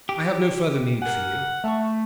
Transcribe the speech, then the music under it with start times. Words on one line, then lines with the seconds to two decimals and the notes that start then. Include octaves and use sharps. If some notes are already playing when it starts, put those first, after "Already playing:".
I have no further need for you.
0.09 G4
1.02 A#4 F#5 G#5
1.64 A3 E5 A5 C#6